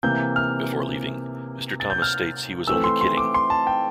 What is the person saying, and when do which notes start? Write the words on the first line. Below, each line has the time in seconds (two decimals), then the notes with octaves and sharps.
Before leaving, Mr. Thomas states He was only kidding.
0.03 C3 E3 A#3 G6
0.36 F6
1.80 A6
1.90 G6
2.02 F6
2.67 E3 A3 C4 E6
2.84 C6
3.01 C6
3.17 D6
3.34 C6
3.50 A5
3.67 G5